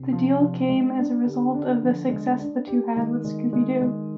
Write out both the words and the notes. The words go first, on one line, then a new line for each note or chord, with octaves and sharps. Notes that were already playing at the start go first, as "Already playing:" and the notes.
The deal came as a result of the success the two had with Scooby-Doo!
Already playing: C3
F3
F3
G#3
D4
D3 G4
D4
F3
G#3
D4
G4
D#3 G#3
G#3
G#3
G#3